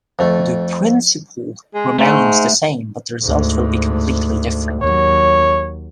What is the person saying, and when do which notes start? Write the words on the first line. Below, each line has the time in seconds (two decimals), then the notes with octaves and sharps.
The principle remains the same but the result will be completely different.
0.19 F2 A3
1.74 G#3
1.98 G#2 A3
3.24 D2 G#2
4.82 D#2 F#3 C#5